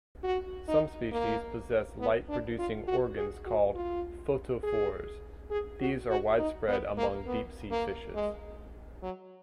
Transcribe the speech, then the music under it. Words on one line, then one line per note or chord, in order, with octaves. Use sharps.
Some species possess light-producing organs called photophores; these are widespread among deep-sea fishes.
F#4
D#4
A#3
B3
D4
F4
F#4
G#4
F#4
F4
G#4
G#4
F#4
F#4
D#4
B3
A#3
B3
A#3
G#3
F#3